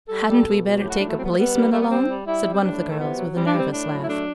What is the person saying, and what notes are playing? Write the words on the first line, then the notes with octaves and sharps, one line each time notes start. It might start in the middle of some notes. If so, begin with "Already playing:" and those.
"HADN'T we better take a policeman along?" said one of the girls with a nervous laugh.
G3 A4
G3
B2
F#3
A2 G4
F#4
F#3 D4
A3
G3 C4
B3
A3
G3 B3
G3
G3 A3
B3
G3 C4
G3
G3 E4
G3
C4
A2 D4
E3
A3
C3 B3
F#3
G3 C4
D4
G3
C4
A2 D4
F#3
E4
A3 D4